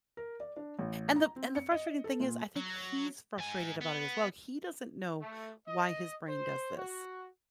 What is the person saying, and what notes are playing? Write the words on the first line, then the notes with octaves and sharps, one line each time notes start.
And the and the frustrating thing is I think he's frustrated about it as well, he doesn't know why his brain does this.
A#4
D5
D4
A1
A#5
C4
C#7
D#5
A4
A#2
F#3
G#2 G#5
B3
A3
D#5
C5
F#4